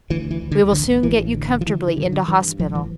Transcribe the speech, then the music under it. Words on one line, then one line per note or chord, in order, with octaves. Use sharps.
We will soon get you comfortably into hospital.
D2 E3
E3
D2
D3
A1 D3
A1 E3
D3
F3
D3 E3
E3
G2 D3
E3
D3
G2 E3
A1 F3
E3